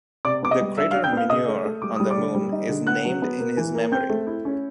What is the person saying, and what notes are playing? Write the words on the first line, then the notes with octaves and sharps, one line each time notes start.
The crater Mineur on the Moon is named in his memory.
C3 D5 D6
B3 D6
D#5 D#6
G3
D4 E5 E6
F5 F6
D4
G5 G6
B3 F5 F6
C#3 D#5 D#6
A3
A3
G3 D6
G3 D#6
D5 D6
D3
G3
D#4
D3
B3 F#5 F#6
F#3
B3
A#3
E3
A#3
C4 G5 G6
A3
E4
C#4